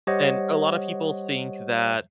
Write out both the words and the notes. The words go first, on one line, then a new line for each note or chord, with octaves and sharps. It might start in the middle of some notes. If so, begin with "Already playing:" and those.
And a lot of people think that,
G3 G4 C5 C#5 D#5 F#5